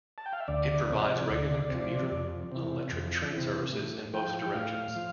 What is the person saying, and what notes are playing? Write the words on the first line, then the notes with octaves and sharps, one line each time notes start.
It provides regular commuter electric train services in both directions.
A5
G5
F5
E5
D2 D5
C3 F3
D2
C3 F3
F2
C3 E3
F2
C3 E3
A2
F3 G5
A2 F5
F3